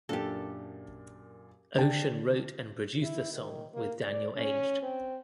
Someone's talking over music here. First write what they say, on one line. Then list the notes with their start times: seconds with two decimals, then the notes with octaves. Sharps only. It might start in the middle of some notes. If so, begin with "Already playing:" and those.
Ocean wrote and produced the song with Daniel Aged.
0.09 F#2 A#2 D4 G4 A4
1.78 D3 D5 G5 A5
3.02 E4
3.33 D#3
3.74 A#3
4.03 D5
4.36 C#4
4.83 C4